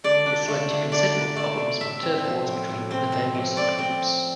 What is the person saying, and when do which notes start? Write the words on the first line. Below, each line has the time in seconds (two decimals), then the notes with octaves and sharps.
This led to considerable problems with turf wars between the various groups.
0.04 D3 D5
0.26 D4
0.48 A3
0.70 D3
0.92 D3 D5
1.14 D4
1.36 A3 D5
1.58 D3
1.80 A2 E5
2.03 C4
2.24 F3
2.46 A2
2.69 A2
2.91 C4
3.12 F3
3.34 A2
3.57 A2 D5
3.78 C4
4.01 F3